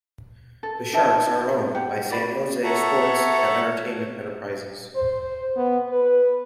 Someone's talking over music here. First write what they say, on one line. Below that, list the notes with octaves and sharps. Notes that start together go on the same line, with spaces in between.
The Sharks are owned by San Jose Sports and Entertainment Enterprises.
A4
D#4 D5 E5 A5
G4 F#5
F#4 D5 B5
A4 C#5 E5 F#5 A5 A#5
C5
B3
B4